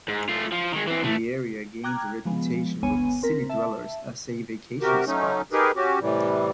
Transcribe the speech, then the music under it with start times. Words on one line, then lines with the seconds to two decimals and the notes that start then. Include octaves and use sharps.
The area gained a reputation with city dwellers as a vacation spot.
0.08 G#2
0.29 A3 F4
0.52 F3
0.74 D#3 G#3
0.87 E3 C4
1.03 E3 A3
1.84 G5 A#5 D6 F6 F#6 G#6
2.25 F3 G#3 B3
2.83 G#1 D2 B3 C#5 G#5 D#7
3.23 C4 A#4 B6
3.50 E5 A5
4.81 C3 F#4 G4 A#4
5.06 F#3 A3 C#4 D#4
5.52 D#4 G4 G#4 A#4 B4
5.76 C#4 F#4 G4
6.00 A2 C3 E3 G3